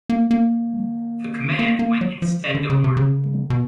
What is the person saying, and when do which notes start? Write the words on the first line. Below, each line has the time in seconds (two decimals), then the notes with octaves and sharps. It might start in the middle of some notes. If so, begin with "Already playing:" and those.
The command went instead to Horne.
0.09 A#3
0.31 A#3
1.59 A#3
1.79 A#3
2.01 F#3
2.22 F3
2.55 D3
2.70 C#3
2.84 C3
2.97 C#3
3.50 B2